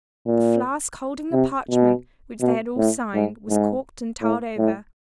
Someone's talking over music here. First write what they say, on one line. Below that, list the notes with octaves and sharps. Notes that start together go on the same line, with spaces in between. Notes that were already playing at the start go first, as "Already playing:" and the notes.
The flask holding the parchment which they had all signed was corked and tarred over.
A#2
C3
B2
B2
A2
G#2
G#2
A2
A2